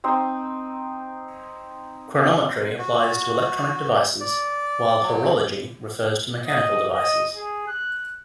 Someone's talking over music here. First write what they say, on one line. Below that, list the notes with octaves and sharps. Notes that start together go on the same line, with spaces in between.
Chronometry applies to electronic devices, while Horology refers to mechanical devices.
C4 D#4 C5
F#4
D5
F#3
D#5
D#5
G#4
F#6